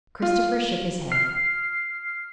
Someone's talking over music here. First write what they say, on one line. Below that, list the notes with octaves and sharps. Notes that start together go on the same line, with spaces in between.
Christopher shook his head.
F4
F6 C7